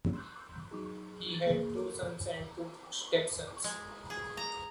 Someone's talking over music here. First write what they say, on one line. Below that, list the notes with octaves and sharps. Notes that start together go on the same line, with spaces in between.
He had two sons and two stepsons.
C6 E6 F#6 G6
F#3 D#4 G#4
F3 A6
A#3 G#4 A#4
A4 A#4 C#5 D6
G#3
G#4
A#5